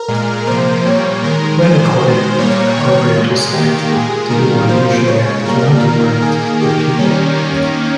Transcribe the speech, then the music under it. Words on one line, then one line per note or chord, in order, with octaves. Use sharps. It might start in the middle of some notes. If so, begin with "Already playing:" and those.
When accorded appropriate respect, taniwha usually acted well towards their people.
Already playing: A#4
A#2 G#3
C3 F3 A#3 C5
A#2 G3 A#3 C#5
D#3 G#3 A#4
A#2 G#3 C5
D#3 G#3
A#2 G3 A#3 C#5
D#3 A#3 C#5
A#2 G#3
D#3 A#3 G4
A#2 G#3 G#4
D#3 G3 A#3 A#4
C#3 F3 A#3 C5
C#3 G#3 C#5
A#2 G3 A#3 A#4
D#3 A#3
D#3 A#3 G#4
D#3 A#3 G4
D#3 G3 A#3 C#4
D#3 A#3